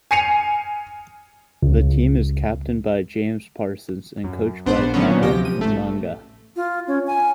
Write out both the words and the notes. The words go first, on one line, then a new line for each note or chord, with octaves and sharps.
The team is captained by James Parsons and coached by Tana Umaga.
G#5 C7 C#7 D#7 F7
C#2
F#2
A#1 B3 D4 C5
D3 D#3 F#3 B3 C#4
D2 C3 F3 G4 A#6
D#7
A1 A3
F4
C#4
G#5